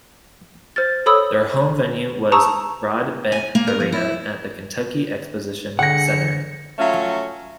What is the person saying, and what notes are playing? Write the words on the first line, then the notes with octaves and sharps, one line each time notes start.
Their home venue was Broadbent Arena at the Kentucky Exposition Center.
C5 F6 A6
A4 C#5 B5 D#6 E6
A5 A#5 C#6 D#6 E6
G#5
A#3
A#4
F3
E4
D3 G#4 F#5 A#6 C#7
F#3 A3 C#4 F4